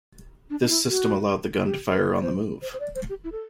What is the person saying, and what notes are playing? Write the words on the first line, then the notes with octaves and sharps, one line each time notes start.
This system allowed the gun to fire on the move.
D4
D4
E4
F#4
G4
B4
D5
C5
C5
C5
D5
C5
G4
E4
A4